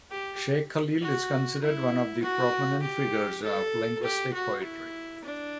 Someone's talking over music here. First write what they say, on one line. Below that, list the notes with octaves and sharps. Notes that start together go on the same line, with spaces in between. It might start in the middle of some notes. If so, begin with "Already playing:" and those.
Sheikh Khalil is considered one of the prominent figures of linguistic poetry.
G4
F#4
E4
F#4
G4
A4
G4
F#4
E4
D4